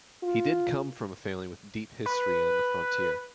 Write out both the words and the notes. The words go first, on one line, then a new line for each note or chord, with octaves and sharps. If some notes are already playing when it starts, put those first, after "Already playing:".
He did come from a family with deep history on the frontier.
F4
B4